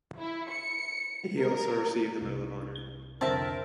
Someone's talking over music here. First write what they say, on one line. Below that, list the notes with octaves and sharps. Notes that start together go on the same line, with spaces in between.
He also received the Medal of Honor.
E4
C#7
A#4
C2
C2 F2 D3 C4 A#4 E5 A5